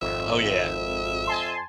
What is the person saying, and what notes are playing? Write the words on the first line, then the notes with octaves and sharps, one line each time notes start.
Oh, yeah.
G#1 F2 E5
G#5 A5 C6